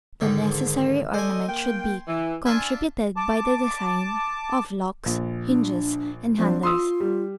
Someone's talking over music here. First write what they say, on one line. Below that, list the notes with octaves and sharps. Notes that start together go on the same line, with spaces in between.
The necessary ornament should be contributed by the design of locks, hinges and handles.
G#2 D3 D#3
A4 C5 D5 D#5 G#5
A#3 G5
E3
D4 F4 E5 G#5
A5 D6
A#1
D4
F3 C4 D4
F4 C6 D#6 E6
G3